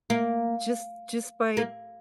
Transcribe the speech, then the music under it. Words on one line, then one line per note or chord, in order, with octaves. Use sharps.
just just by, d
A#3
A#3